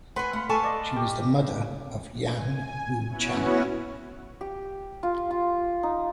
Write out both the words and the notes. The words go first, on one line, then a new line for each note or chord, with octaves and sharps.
She was the mother of Yan Wucheng.
B4 F#5 G#5 B5 C6
A3 F5 F#5 B5
A4 F5 G#5 A5 C#6
D5 D#5
G4
G#5
B3 C#4 E4 F#4 C#5 F#5
G4
F4
F4
D#4